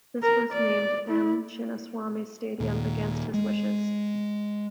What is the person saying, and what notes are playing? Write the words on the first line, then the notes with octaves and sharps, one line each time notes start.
This was named M. Chinnaswamy Stadium against his wishes.
A#4
D5
E4
D#2 A#2
G#3